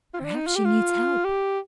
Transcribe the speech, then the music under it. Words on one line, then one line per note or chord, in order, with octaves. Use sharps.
"Perhaps she needs help."
F4
C4
D4
D#4
F4
G4
F4
G4